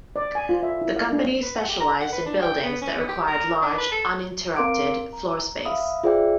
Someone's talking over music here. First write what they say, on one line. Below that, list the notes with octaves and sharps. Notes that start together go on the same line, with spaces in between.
The company specialized in buildings that required large, uninterrupted floor space.
D5
G#5
F4
E5
E4
F5
D4
B4
F#5
G4
A#5
F#5
B4
D4
G5
B3
C#4
B3
G4
A#4
D4
B4
A4
C4 A#4 F5 C6 D6 D7
A#5
E5 F5 B5 D#6
F4 G#4 C5 D5 E5 G5